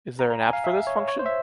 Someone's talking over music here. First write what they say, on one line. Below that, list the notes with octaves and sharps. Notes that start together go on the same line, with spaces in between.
Is there an app for this function?
A#5
A#5
G#5
F5
E5
C#5
C#5
C5
E5